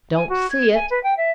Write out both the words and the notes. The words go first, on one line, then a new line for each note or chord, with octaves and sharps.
'Don't see it.
G#5
F#4
G#6
G#5
B4
G5
E5